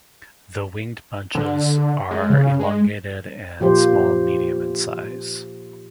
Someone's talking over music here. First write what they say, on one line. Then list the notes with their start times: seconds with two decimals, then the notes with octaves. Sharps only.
The winged bunches are elongated and small-medium in size.
1.35 D3
2.11 G#3
2.30 C#3
2.59 G#3
3.60 A#2 F3 G4 C5